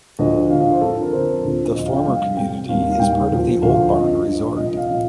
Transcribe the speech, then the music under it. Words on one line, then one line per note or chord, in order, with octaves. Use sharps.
The former community is part of the Old Barn Resort.
D2 D3 F3 D#5
D2 D3 F3 F5
F5
C5
F2 D3 F3 A4
A#4
F2 D3 F3 C5
D2 D3 F3
D2 D3 F3 D#5
F5
G5
F2 C3 G3 F5
F2 C3 G3 G5
D#2 D#3 G3 F5
F5
D#2 D#3 G3 G5
D2 D3 F3
D2 D3 F3 F5
G2 F3 D#5
G2 F3
C2 A#2 F3 D#5
D#5
F5
A#2 F3 D#5